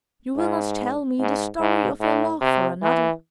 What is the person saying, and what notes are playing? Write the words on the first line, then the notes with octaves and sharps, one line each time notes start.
You will not tell me the story of your love for another!
G#2
G#2
G#2
A2
C3
E3